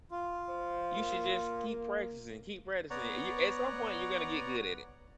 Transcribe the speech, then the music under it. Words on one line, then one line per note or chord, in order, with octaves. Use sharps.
you should just keep practicing, keep practicing. Uh, y at some point you're gonna get good at it.
F4
C5
A#3
B3 C#5 D5 F#5 A#5 C#6